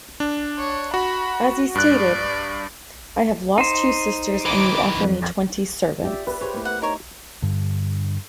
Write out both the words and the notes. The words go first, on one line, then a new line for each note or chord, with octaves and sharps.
As he stated; 'I have lost two sisters and you offer me twenty servants.
D4
C#5
F#4 B5
G2 D5 F#6
D#4 C5
D#3 E3 D6
F2
F4 G4 D5 E5
G4 B4
G4 G#4 C5 C#5
A3 A#3 E4
F#5
D#4 A#4 C#5
G2 D3